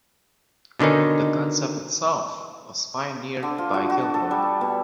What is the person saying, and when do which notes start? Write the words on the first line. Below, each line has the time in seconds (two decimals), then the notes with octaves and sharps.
The concept itself was pioneered by Gilbert.
0.79 B2 D3 D#3 C#4 D#4
3.43 D3
3.58 F4
3.74 F#4
3.90 F#4
4.02 A4
4.14 A4
4.31 G3
4.61 B2